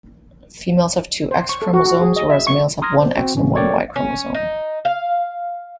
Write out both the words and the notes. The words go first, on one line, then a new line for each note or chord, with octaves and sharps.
Females have two X chromosomes, whereas males have one X and one Y chromosome.
C5
C#6
A4
F#4
F#4
G#4
D#5
E5
C#6
A#5 C6 D#6 F6 G#6 A#6
C5 D5
C4 F#4
A2 C#3 E3 C#4 D4
F#4 A4 A#4 C#5 D5 G5
C#4
D#4
F5